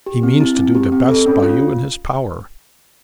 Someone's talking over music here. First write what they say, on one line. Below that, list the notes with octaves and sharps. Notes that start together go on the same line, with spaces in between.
'He means to do the best by you in his power.
G4
C4
E4
C4
G4
C4
A4
C#4
F4